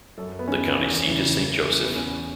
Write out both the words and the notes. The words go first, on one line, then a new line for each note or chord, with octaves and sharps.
The county seat is Saint Joseph.
F#2 A4
B3
D#3 C#4
E2
C#3 E3
A2
E3
B3
E2 C#4